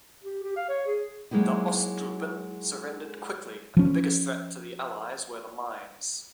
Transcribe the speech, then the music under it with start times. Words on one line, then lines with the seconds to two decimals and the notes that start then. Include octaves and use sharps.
The "Osttruppen" surrendered quickly, and the biggest threat to the Allies were the mines.
0.24 G4
0.43 G4
0.56 F5
0.69 C#5
0.86 G#4
1.31 F#3 G#3 A#3 D#4 E4
3.77 F3 C#4